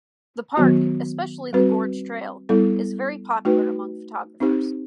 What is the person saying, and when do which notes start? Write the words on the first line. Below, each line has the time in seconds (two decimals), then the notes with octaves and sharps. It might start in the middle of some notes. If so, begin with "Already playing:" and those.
The park, especially the Gorge Trail, is very popular among photographers.
0.57 D#3 F#3 B3 F#4
1.53 G3 C4 F#4 B4
2.49 G3 B3 E4 A4
3.45 A3 D#4 F#4 B4
4.40 C4 D#4 G4 C5